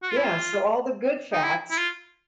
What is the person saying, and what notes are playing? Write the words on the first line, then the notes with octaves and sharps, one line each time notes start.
Yeah. So, all the good fats
F#4
F4
E4
F4
D#4
E4
E4
F4